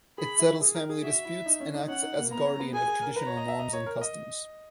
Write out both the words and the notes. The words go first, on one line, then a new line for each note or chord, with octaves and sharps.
It settles family disputes and acts as guardian of traditional norms and customs.
G#4 B5
E4
G#4
A#4
G#4
F#4 E5
E4
D#4
C#4
D#4
C#4 F#5
D#4
A#3
B3 A#5
C#4
B3
G#4 G#5
G#4
A#4
B4 A#5
C#5
D#5
E5
D#5
C#5
A#4
D#5